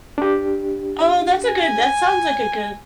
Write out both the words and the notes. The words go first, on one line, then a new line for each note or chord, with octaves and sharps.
Oh, that's a good that sounds like a good
D4 G4
G#5